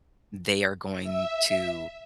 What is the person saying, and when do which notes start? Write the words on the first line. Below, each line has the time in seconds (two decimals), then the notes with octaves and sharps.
they are going to,
1.03 E5